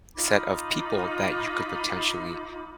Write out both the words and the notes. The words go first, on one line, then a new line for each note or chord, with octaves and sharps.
set of people that you could, potentially,
D#4 F4 B5 D6